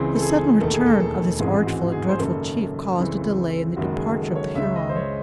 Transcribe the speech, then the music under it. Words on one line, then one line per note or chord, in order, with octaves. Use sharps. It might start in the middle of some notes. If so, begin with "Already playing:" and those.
The sudden return of this artful and dreaded chief caused a delay in the departure of the Huron.
Already playing: C#2 C#3 E3 C4 G#4
A4
G#4
E1 D#2 D#3 A3 A4
G#4
A4
A4
A1 G#2 E3 G#3 C4 G#4
F#4
G#4
C5
F#1 F#2 D#3 A4
C#2 C#3 E3 C4
F#1 F#2 D#3 G#3 F#4
G#4
A4
C#5
C#2 C#3 G#3 E5
D#5
C5
C#5